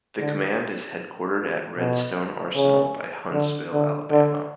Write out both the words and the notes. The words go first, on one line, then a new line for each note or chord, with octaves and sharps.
The command is headquartered at Redstone Arsenal by Huntsville, Alabama.
D3
B2
C#3
D3
D3
D3